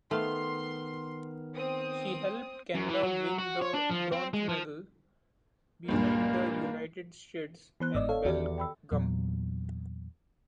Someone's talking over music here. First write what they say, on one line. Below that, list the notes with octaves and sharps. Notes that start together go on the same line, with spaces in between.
She helped Canada win the bronze medal behind the United States and Belgium.
D#3 A3 B3 F5 C6 F6
C4 D#6
F#2
E3
F#3
F#4
C#5
D4
F3
C4
G#3
F3
C#2 G2 A#2 A#3
E3 B3 C5 F#6
G1 G#2 D5 D#5 E6
A4 C#5 F5
E2 D#3 F#4 G4 D5
G5 B5 E6
E2 A#2 F#3